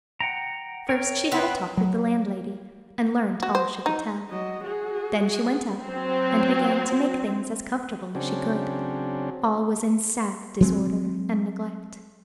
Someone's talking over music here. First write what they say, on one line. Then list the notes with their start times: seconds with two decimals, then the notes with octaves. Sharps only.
First she had a talk with the landlady, and learned all she could tell. Then she went up, and began to make things as comfortable as she could: all was in sad disorder and neglect.
0.20 F#5 G5 A#5
0.89 A#4 C#5 G5
1.32 B3 C4 B4
1.77 F#3
3.43 F#4
3.55 C5
3.86 D#4
4.30 F#3 D#5
4.64 F#4 G#4
5.82 F#3 C4
8.15 C#3 F#3 C4 D4
10.60 F#3 G#3 C4